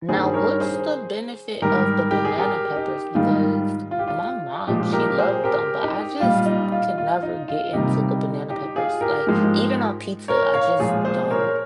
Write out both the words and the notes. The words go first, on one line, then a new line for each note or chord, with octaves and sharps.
Now, what's the benefit of the banana peppers because my mom, she loved them, but, I just could never get into the banana peppers, like, even on pizza, I just don't
G2 D#3 G3 G#4 C5
A#4 C#5
G#4 C5
G#2 D#3 G3 G4 A#4
G4
G#4
G4 A#4
D#4 G4
G#2 D#3 G3 F4
F4
G4
F4
A#2 F3 G#3 D#4 G4
G4 A#4
G#4 C5
G4 A#4
D#4 G4
A#2 G3 F4
D#4
F4
F4
D#4
F4
C3 D#3 G3 D#4 G4
D#4 G4
F4 G#4
G4 A#4
G#2 F3 G#3
A#4 C#5
C#5 F5
A#2 F3 G#3 F4 G#4
G#4 C5
A#4 C#5